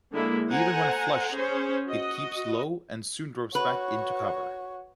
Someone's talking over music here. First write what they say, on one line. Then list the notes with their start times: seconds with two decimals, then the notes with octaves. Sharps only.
Even when flushed, it keeps low and soon drops back into cover.
0.12 D3 G#3 A#3 E4
0.48 A4 C5 F#5 G#5 A#5
1.34 C#4 G#4 C5
1.89 F#4 D#5
3.55 F#4 B4 C#5